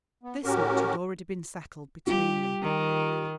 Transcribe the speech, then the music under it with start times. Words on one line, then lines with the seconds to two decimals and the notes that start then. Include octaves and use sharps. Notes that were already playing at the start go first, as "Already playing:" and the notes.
This much had already been settled between them.
0.23 B3
0.44 A2 C#4 F#4 G4 A#4
2.07 G3 F4 G4
2.62 D#3